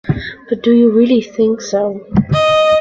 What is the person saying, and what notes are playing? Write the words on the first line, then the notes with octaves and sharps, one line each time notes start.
But do you really think so?
D#5